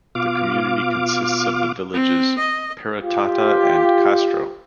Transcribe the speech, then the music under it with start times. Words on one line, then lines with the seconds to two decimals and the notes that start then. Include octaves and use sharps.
The community consists of the villages Peratata and Kastro.
0.15 B2 F4 F5 D6
1.94 C4
2.38 D#5
3.02 F4 G4